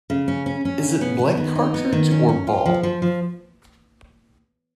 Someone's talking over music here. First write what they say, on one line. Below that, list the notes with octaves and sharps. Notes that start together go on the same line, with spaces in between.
Is it blank cartridge or ball?
C#3
C#4
C#4
C#4
C#3
B3
B3
D#3
D#4
B3
D#3
C#4
C#4
F4
F3
F3
F3